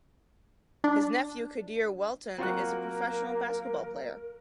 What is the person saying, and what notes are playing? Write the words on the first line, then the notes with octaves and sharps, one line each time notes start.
His nephew, Quadir Welton, is a professional basketball player.
D4
F#3 A#3 C4 F4 F#4 A#4 F#6